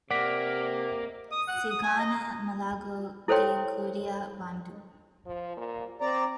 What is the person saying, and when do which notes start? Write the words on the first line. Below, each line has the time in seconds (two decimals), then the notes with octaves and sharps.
Sighana malagho ghe ghoria w'andu.
0.11 C3 A#3 D5 F#5 B6
1.32 D#6
1.48 F#5
1.71 D#6
1.83 G#5
1.99 D#5
3.28 E4 A4 C5 C#5 G5 C6
5.26 F3
5.57 A#2
6.01 C4 D5 A#5